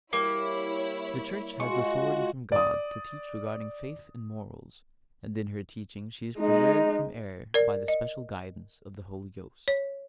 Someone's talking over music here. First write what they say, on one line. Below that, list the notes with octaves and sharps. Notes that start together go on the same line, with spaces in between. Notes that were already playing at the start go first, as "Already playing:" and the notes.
The Church has authority from God to teach regarding faith and morals, and in her teaching she is preserved from error by the special guidance of the Holy Ghost.
G3 A#3 E4 C#5
G#3 F4 F#4 C#6
D5 D#6
G#3 D#4
A#4 D5
D#5
C#5